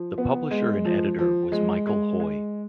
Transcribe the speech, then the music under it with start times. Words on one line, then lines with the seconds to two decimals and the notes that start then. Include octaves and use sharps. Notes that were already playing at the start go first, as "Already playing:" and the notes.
The publisher and editor was Michael Hoy.
Already playing: F3
0.18 B3
0.51 G#3
0.85 F3
1.19 F3
1.52 G#3
1.87 G#3
2.20 G#3